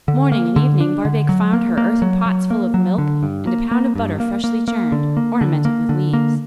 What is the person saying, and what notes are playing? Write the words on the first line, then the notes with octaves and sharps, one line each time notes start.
Morning and evening Barbaik found her earthen pots full of milk and a pound of butter freshly churned, ornamented with leaves.
D3
A#3
D3
D4
D3
F#3
A#3
A#3
F#3
F#3
A#3
F#3
D3
G2
A#3
A#3
G2
A#3
A#3
A#3
D3
A#3
D3
A#3
D3
A#3